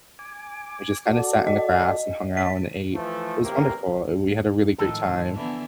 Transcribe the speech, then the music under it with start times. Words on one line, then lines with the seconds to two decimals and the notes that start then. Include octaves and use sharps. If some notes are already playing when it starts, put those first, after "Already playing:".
we just kinda sat in the grass and hung out and ate. It was wonderful; we had a really great time.
0.19 G#5 D6
1.06 F#4 A4 D5
1.47 D#5
2.37 C#4 A5 B6
2.94 E3 F3 A3
3.43 A1 F#2 C3 A#3 G4 A#4
4.78 A2 D#3 F3 A4 G5
5.34 D3 E3 B3